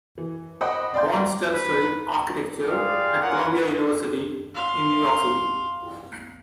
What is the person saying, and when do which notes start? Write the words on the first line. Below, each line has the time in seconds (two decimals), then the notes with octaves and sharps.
Bonestell studied architecture at Columbia University in New York City.
0.18 E3
0.61 C5 D#5 F#5 G5 B5 D6
0.94 D5 F5 G5 C6 G6
1.53 B4
2.69 F4 G4 G#4 D5 F5
3.21 C#4 F4 A#4 F#5
4.55 F5 C6